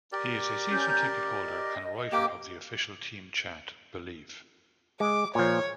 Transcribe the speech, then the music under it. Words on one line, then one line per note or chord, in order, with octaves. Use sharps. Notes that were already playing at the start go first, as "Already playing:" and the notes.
He is a season ticket holder and writer of the official team chant 'Believe'.
G4 A#4 D5
C#4 A#5 G6
D#5
A#3 G4 D6
G#3 D6
A#2 F3 C#5